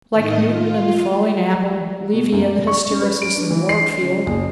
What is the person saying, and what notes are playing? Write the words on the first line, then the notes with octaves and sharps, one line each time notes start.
Like Newton and the falling apple, Levy and the hysteresis in the warp field.
A2 D#3 D#5
F4
B2
F#2
D5
C#6
C#4
B4
D7
D4
E3
C7
C#3
F#1